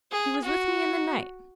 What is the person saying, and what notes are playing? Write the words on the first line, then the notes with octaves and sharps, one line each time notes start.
She was with me in the night.
G#4
F#4